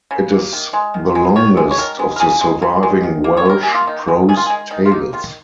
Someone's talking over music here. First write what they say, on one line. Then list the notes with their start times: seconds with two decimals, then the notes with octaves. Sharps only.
It is the longest of the surviving Welsh prose tales.
0.11 C#3
0.32 A#3
0.53 D#3
0.73 G#3
0.94 D#3
1.15 G#3
1.36 D#3 C#5
1.57 G#3
1.71 C#5
1.78 D#3 A#4
1.99 G#3
2.16 A#4
2.20 C#3 G#4
2.41 G#3
2.62 C#3
2.83 G#3
3.03 D#3
3.24 A#3
3.37 C#5
3.45 D#3 A#4
3.63 A#3 G#4
3.74 F4
3.87 D#3 D#4
4.08 G#3
4.29 D#3 G#4
4.37 F4
4.46 G#4
4.50 G#3
4.71 D#3 D#4
4.86 F4
4.91 A#3 D#4
5.13 D#3 F4